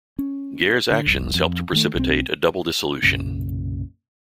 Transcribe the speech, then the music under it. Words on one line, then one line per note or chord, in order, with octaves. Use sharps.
Gair's actions helped to precipitate a double dissolution.
C#4
D3
F1 C2
F2
D#3 A3
B1 C4
B1 F#2 A#2 C#3